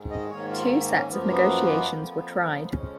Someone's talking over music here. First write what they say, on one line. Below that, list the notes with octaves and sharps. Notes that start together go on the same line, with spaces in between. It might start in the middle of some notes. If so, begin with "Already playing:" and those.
Two sets of negotiations were tried.
Already playing: G#2 D#3 G#3
D#5
G#2 D#3 A#3 C#5
F4
C#4
F#2 F3 A#3 B3
B3
F2 F3 A#3
B3
F2 C#3 F3 G#3 C#4